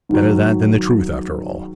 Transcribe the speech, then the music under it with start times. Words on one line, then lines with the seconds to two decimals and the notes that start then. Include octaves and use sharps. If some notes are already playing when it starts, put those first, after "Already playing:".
Better that than the truth, after all.'
0.09 G#2 D#3 F#3